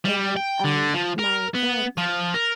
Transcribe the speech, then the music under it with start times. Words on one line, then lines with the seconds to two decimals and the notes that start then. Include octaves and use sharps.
and, um, my girl
0.05 G3
0.37 G5
0.65 D3
0.94 F3
1.19 A#4
1.55 B3
1.97 F3
2.34 A#4